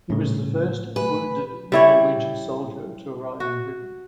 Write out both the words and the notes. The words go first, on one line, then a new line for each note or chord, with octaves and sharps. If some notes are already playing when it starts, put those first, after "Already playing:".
He was the first wounded Norwegian soldier to arrive in Britain.
A2 C#3 G3 C#4
A3 G4 B4 G#5
G3 E4 C#5
F#4